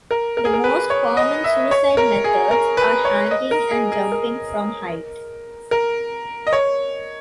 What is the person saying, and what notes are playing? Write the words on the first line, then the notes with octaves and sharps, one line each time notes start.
The most common suicide methods are hanging and jumping from height.
A#4
A#4
G#4
A#4
B4
C#5
D#5
E5
C#5
A#4
G#4
A#4
B4
C#5
D#5
A#4
G#4
G#4
A#4
A#4
D#5
C#5